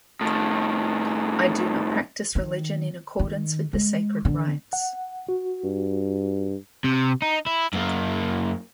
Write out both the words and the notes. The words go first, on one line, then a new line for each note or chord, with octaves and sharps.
'I do not practice religion in accordance with the sacred rites.
A2 D#3
D#3
D#3
G#3
D3
F#5
F#4
G2
C3
D#4
E4
F#2 A#3